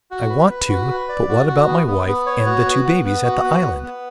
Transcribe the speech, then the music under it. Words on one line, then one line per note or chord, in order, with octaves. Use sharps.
"I want to; but what about my wife and the two babies, at the island?"
F#4
B4
B4
F#4
B4
D5
F#4
F#4
B3
B3
B3
C#5
F#4
B3
B3
B3
F#4
B3
B3
B3